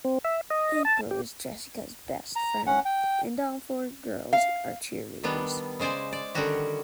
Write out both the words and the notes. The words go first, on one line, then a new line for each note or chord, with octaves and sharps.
April is Jessica's best friend, and all four girls are cheerleaders.
C4
E5
D#5
A5
G4
A#5
C#4 F#5
G5
F5
D#3 G3 B3 D4
C#3 G#3 C5 D5 G#5
D5
D3 D#3 G3 C#4 F#4 G4